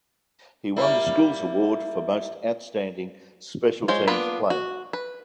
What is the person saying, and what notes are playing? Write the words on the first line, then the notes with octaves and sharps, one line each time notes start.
He won the school’s award for Most Outstanding Special Teams Player.
G3 A#3 E4
G#3 F4 C5 C#5
A#3 B3 D4 F4 B4
F#4
B4